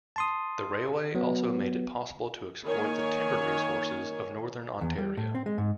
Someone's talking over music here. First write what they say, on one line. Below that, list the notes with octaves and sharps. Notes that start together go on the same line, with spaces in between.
The railway also made it possible to exploit the timber resources of Northern Ontario.
A5 C6 D#6
F#3 B3
D#3 A#3 C#5 G#5
E2
G3
A2
C4
G#3
G#2